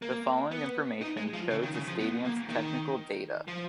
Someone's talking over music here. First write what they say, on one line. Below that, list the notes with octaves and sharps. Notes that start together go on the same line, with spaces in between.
The following information shows the stadium's technical data.
A#3
B3
D#4
G#3
F3
C#3
D#3
C#3
F3
B3
A#3
D#3
F3